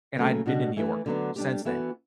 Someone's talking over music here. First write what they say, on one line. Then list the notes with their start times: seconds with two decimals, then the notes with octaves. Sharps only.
and I hadn't been to New York since then,
0.17 C#3 F#3 A3
0.46 B2 G3 D4 F#4
0.76 E3 A3 E4 B4 E5
1.06 D3 F#3 B3 D4
1.36 G3 D4 G4
1.65 E3 B3 F#4 A4 E5